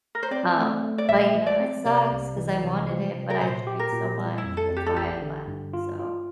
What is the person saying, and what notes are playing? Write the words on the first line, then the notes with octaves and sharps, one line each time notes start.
Um, but, you know, it sucks 'cause I wanted it, but I tried so much. That's why I left, so
A#4
C5
C4 D5
A3
A3
D5
A#1 E5
F3
D5
C4
C3 D5
C2
E3
C3
F3
C3
A#4
A#2 C5
G4
A#4
A#2
G3
E4
F2
A4
F2
G4
A4
A1 G4
D3
G2
F4
F4